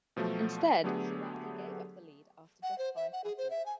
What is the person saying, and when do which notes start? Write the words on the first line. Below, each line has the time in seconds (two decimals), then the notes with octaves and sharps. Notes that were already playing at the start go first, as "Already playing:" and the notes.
Instead, Schiraldi gave up the lead after just five batters.
0.16 B2 F3 F#3 A3
0.84 D3 F#3 A3 B3 G4 G#4
2.63 F#5
2.78 C5
2.96 E5
3.13 F#5
3.24 G#4
3.38 C5
3.50 E5
3.66 G#5